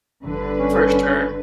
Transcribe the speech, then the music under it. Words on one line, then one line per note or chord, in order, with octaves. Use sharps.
For sure.
G1 D3 B4
C#4